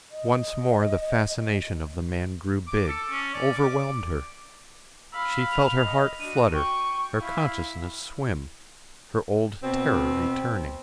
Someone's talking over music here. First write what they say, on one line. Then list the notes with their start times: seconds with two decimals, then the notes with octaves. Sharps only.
Once more the fascination of the man grew big, overwhelmed her. She felt her heart flutter, her consciousness swim, her old terror returning.
0.11 D#5
2.67 D6
2.88 A4
3.10 C#4
3.33 D5
3.56 D6
5.12 F5 B5 E6
5.52 F7
5.84 D#5
6.20 D4 F#4 D#7
6.53 G5 C#6
7.20 E4 F5
9.62 B2 C4